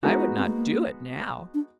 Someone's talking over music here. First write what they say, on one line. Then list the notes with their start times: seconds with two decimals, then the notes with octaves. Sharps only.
I would not do it now.
0.03 G#3 B3 D4 D#4 F#4
0.20 F4
0.37 C4
0.45 A3
0.53 A#3
1.54 D4